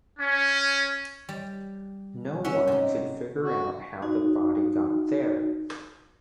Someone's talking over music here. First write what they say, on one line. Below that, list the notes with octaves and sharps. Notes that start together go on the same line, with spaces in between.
No one could figure out how the body got there.
C#4
G3
C#4 E5 F#5
C3 D#4
F#4
D#4 F#4